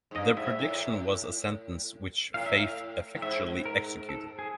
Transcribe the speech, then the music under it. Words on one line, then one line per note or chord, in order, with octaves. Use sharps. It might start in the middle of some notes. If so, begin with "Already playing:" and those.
The prediction was a sentence which faith effectually executed.
G#2
G2 D#5
G#2 E5
A2
A2 F5
E5
F5
A2
G#2 E5
A#4
A4
G#4